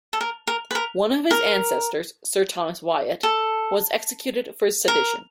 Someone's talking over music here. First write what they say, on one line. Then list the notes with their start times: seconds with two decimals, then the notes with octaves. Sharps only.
One of his ancestors, Sir Thomas Wyatt, was executed for sedition.
0.13 A4
0.21 A#4
0.47 A#4
0.71 B4
0.75 A#4
1.31 A#4
3.23 A4
4.88 A#4